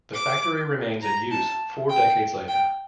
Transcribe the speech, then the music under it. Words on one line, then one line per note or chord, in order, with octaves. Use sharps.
The factory remains in use four decades later.
D6
A#5
A5
G5
G5